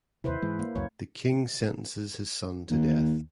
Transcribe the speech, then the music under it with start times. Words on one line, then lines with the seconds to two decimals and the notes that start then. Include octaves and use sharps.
The king sentences his son to death.
0.24 D#2 C3 E4 B4 C5
0.42 G#2 E3 G#3
0.59 A#3
0.75 C#2 F#2 C#5
2.70 D#2